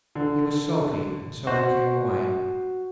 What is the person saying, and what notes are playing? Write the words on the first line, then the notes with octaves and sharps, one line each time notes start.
He was sulky, and so I came away.
D3
F#4 C5